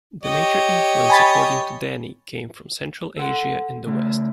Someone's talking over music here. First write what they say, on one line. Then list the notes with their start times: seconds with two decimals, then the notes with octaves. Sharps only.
The major influence, according to Dani, came from Central Asia in the west.
0.23 G4 C#5 D#5
1.10 G#5 B5 A6
3.17 A4 F#5
3.87 C#3 A3